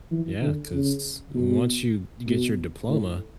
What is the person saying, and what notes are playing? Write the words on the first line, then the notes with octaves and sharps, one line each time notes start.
Yeah, 'cause once you ge get your diploma,
E3
D3
C#3
B2
B2
A2